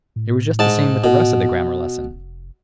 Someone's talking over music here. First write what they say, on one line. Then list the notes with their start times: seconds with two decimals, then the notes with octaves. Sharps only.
It was just the same with the rest of the grammar lesson.
0.16 A2
0.59 G#2 A5
1.04 B2
2.11 F1